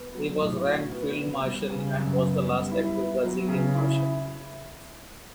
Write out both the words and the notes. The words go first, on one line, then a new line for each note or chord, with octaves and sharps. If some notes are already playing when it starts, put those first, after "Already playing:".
He was ranked Field Marshal and was the last active Brazilian marshal.
Already playing: B3
F#3
A2
F#4
B3
B3
G3
C#3
F#2
B3
G3
E4
B3
F#3
C#3
E4